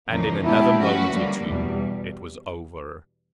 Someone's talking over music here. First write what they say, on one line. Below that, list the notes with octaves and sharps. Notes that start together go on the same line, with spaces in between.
And in another moment or two it was over.
E2 C#3 F3 A#3 D#4
B2 G#3 B3 D4 E4 G4
F3 A3 C#4 F#4 B4
D3 G3 A#3
E2 B2 G3